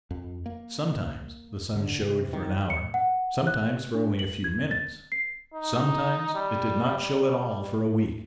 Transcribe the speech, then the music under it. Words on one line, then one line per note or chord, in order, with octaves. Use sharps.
Sometimes the sun showed for an hour, sometimes for only a few minutes, sometimes it did not show at all for a week.
F2
A#3
D3
C3
D#3
C#7
F#5
F#6
D4
F#7
G#6
A6
C7
D#4
G3
G3